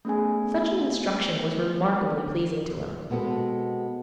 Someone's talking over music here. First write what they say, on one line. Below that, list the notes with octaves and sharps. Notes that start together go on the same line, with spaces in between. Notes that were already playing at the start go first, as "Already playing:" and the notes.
Such an instruction was remarkably pleasing to him.
A3 B3 C#4 G#4 G#5
B2 G#3 B3 C4 A4